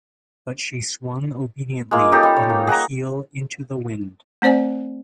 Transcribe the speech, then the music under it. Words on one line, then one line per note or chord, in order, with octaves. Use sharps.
But she swung obediently on her heel into the wind.
G#3 A#3 F4
C#4 D#4 G4 A4
G3
C#5
A#3
G#4 F#5 G#5 A#5
A3 C4 C5 D5 G#5